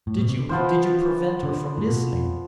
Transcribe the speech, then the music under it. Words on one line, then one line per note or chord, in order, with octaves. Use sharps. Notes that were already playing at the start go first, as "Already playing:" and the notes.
Did you--did you prevent her from listening?'
A2
B2
C3
D3
E3 F3 B3 F4 C5
D3
A2
B2
F2